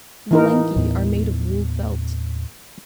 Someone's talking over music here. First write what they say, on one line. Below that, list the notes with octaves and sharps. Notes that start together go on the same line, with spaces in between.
Valenki are made of wool felt.
E3 D#4 A#4
D#2 A2 B3